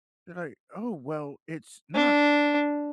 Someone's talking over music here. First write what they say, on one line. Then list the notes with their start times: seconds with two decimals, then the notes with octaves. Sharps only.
They're like, "Oh, well, it's not
1.95 D4